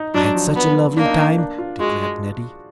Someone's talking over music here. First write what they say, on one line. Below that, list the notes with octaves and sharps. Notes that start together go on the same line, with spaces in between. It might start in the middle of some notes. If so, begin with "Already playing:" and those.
"I had such a lovely time," declared Nettie.
Already playing: D#4
F#3 D4
F3
B3
A#3 D4
D#4
D4
D4
F4
G#3 F#4